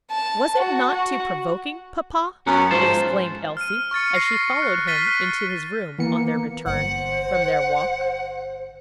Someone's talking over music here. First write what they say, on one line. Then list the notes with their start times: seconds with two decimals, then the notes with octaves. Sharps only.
"Was it not too provoking, papa?" exclaimed Elsie, as she followed him into his room on their return from their walk.
0.11 A5
0.57 F#4
0.92 F#4
2.47 F#2 B3 C#4
2.71 G#2 F3 C5 A5
3.57 F6 D#7
3.91 C#6 F6 A6 C#7
4.15 F6 A#6 C7
4.62 F#6
4.87 F6 A6 B6 C7 D#7 G7
5.07 F#6 D#7
5.99 E3 A#3 B3 C#7
6.66 G1 C5 F#5